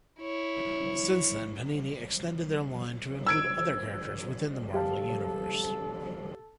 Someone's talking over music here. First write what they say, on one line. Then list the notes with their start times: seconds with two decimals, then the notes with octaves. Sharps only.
Since then Panini extended their line to include other characters within the Marvel Universe.
0.20 E4 C#5
3.27 E6 G#6 D7
4.74 G4 A4 F5 A5